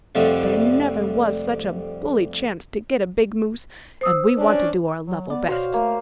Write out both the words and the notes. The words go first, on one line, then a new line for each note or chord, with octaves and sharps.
There never was such a bully chance to get a big moose, and we want to do our level best.
C2 F2 D3 F3 G3 A3
C5 D#6 E6
C#4 D4 D5
F#3
B3 D5
B2 F#4 C5 C#5 F5 F6
A3 A#3